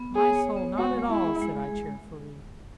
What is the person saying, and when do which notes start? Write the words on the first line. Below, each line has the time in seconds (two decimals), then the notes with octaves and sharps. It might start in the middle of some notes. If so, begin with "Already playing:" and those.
'My soul, not at all!' said I, cheerfully.
Already playing: B3
0.15 G#4 C#5
0.35 C#5
0.57 B3
0.78 G#3 F#4
0.99 G#3
1.10 E4
1.21 G#4
1.42 G#3
1.64 G#4